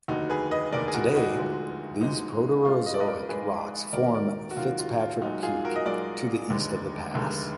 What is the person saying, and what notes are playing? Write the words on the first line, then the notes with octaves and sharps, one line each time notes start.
Today these Proterozoic rocks form Fitzpatrick Peak to the east of the pass.
F1 D#2 D3 D#4 F#4
G#4 B4
B4 D#5
F1 D#2 D3 A#4 D5
G#4
F#4 A#4
D#4 F#4
D2 D3 F3 G#3
D2 D3 F3 G#3 D#4
G#1 G#2 F3 G#3 F4
D#5
D5
B4 D#5
A#4 D5
G#1 G#2 F3 G#3 G#4 B4
D#2 D#3 F#3 A#4 D5
A#4 D5
F#4
D#2 D#3 F#3 F4
F4
F4
B1 A#2 G#3 D#4 F#4
F4 G#4
F#4 A#4
D#5
B1 A#2 G#3 A#4 D5
F1 D#2 D3 G#3
F1 D#2 D3 G#3